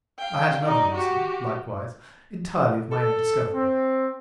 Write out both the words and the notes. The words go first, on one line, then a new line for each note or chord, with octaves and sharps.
I had another reason, likewise, entirely of my own discovering.
F5 G5
D#4 D5
F#4 G4
A4
C4